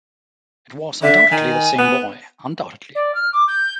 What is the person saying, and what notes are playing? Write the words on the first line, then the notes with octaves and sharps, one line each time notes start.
It was undoubtedly the same boy, undoubtedly!
D3 E5
D#3 G#5
B3
D5
F6
D6
G6